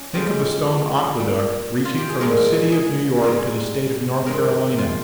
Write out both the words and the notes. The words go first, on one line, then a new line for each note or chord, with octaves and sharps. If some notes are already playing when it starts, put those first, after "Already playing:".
Think of a stone aqueduct reaching from the city of New York to the State of North Carolina!
Already playing: C#4
F2 C#3 F3 G#3 G4
A#2 G3
F4
G4
G#4
A#2 F3 G#3 A#4
G#4
G#2 G3 G#4
G2 D#3 G#3 A#4
F4